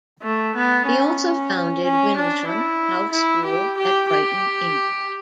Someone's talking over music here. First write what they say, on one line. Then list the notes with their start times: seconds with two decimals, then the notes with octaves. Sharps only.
He also founded Windlesham House School at Brighton, England.
0.23 A3
0.55 B3
0.87 C#4
1.84 C#4
2.16 D4
2.48 E4
3.12 E4
3.45 G4
3.78 G4
4.09 G4